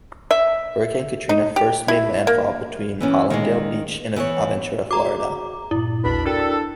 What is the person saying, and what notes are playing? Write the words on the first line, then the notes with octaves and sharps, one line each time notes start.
Hurricane Katrina first made landfall between Hallandale Beach and Aventura, Florida.
E5
D#4
G4
E4
A#3
E3 B3 C#4
D#3 G#3
E3 B3 F#4 C#5
F#4 G#4 A#5 D6
G2 A#2 E4
A#1 E2 B2 D4 B5
D4 F#4 A4 A#4 G5